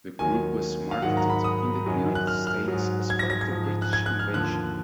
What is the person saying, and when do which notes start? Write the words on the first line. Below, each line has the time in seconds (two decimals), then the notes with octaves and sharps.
The group was marketed in the United States as part of the British Invasion.
0.19 D#2 D#3 F#3 G#5
0.91 F5
1.02 G#2 D#3 F#3 F#5
1.17 A#5
1.30 B5
1.44 D#6
1.86 F#2 D#3 F#3
2.15 F#6
2.27 F6
2.47 F6
2.68 G#2 F#3
3.10 G#6
3.19 A#6
3.30 A#6
3.41 G#6
3.51 G#2 F3
3.82 F#6
3.93 G#6
4.06 F#6
4.19 F6
4.33 D#2 D3 F3 F#6